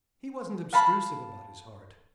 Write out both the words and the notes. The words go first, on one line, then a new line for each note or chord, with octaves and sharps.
He wasn't obtrusive about his heart.
F5 A5 B5